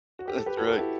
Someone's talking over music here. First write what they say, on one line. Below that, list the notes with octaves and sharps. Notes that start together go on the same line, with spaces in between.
That's right.
F#4
G4
A4
G4 B4
F#4 A4
F#4 A4
E4 G4